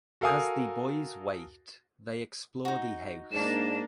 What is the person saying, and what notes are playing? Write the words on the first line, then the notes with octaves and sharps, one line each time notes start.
As the boys wait, they explore the house.
F#4 A4 A#4 F5 G#5 D#6
D#4 F#4
G#2 A#3 D4 E7